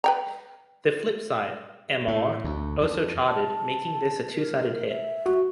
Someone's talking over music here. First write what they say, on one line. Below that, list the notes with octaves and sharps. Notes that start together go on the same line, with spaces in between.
The flip side, "Amor," also charted, making this a two-sided hit.
B4 G5 A#5
A2
D2
F2
A5
A#4
E5
F#4